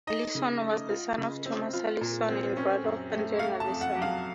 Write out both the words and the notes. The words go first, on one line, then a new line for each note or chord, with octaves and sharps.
Allinson was the son of Thomas Allinson and brother of Adrian Allinson.
D#4 D#5
C#3
A3
F4
C#3
C4
F4
A#2
C4
C#4
F#2
A3
A3 F5
A5
F2
F#5
F#3
F5